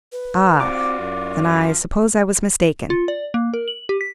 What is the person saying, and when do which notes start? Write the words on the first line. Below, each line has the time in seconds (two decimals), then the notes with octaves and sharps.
"Ah, then, I suppose I was mistaken."
0.12 B4
0.61 C4 F4 F#4 D5 D6
1.00 F#2
1.45 F3
2.90 F4
3.08 D5
3.34 A#3
3.54 A#4
3.68 F#7
3.89 G4
4.01 B6